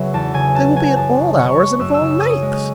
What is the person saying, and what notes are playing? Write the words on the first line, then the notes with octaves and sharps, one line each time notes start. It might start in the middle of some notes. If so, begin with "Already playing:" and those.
They will be at all hours, and of all lengths.
Already playing: C#3 F#3 B3 E5
E2 A5
C#3 G#5
B3 A5
F#3 G#5
F#2 A5
C#3
C#4 C#6
G#3
F#2 E6
E6
C#3
C#4 D#6
G#3